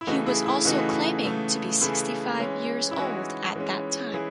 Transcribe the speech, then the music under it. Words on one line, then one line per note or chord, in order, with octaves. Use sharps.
He was also claiming to be sixty-five years old at that time.
E4
C#3 E3 A3 D#4 F#4
E4 G#4
E4
C#3 E3 A3 D#4 F#4
C#3 E3 A3
C#3 E3 A3 E4 G#4
E3 G#3 C#4
E4
E3 G#3 C#4 D#4 F#4
E3 G#3 C#4
E3 E4 G#4